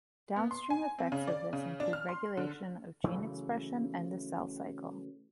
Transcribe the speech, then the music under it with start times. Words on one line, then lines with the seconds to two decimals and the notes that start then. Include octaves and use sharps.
Downstream effects of this include regulation of gene expression and the cell cycle.
0.36 B3
0.51 C6
0.70 G#5
0.99 C4
1.12 C#3
1.28 D5
1.53 C#3
1.80 D4
1.93 F6
2.09 C6
2.37 D3
3.04 C#3 E3 F#3 A3